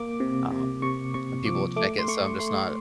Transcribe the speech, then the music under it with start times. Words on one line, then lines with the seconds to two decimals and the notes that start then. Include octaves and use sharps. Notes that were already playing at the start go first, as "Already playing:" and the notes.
um, and people would check it, so I'm just not
Already playing: A#3 D6
0.20 C3
0.51 C3
0.82 C3 C#6
1.14 C3 C#6
1.45 F3 D6
1.76 A3 D6
1.99 C6
2.08 A3 C#6
2.39 A3 C6